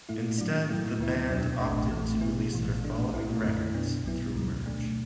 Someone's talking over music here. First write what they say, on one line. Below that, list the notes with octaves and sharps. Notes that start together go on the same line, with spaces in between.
Instead, the band opted to release their following records through Merge.
A2 A3 E4
A2 F#3 D4
A2 F#3 A3 E4
D2 D3 B3 E4
E2 B2 F#3 D4
A1 A2 A3 D4
A1 A2 E3 A3
B2 B3 E4
A1 A2 E3
A2 A3 D4
B1 A2 A3 E4
F#2 D3 A3 E4
B2 B3 D4
B1 B2 F#3 B3 E4
D2 D3 F#3
B2 A3 D4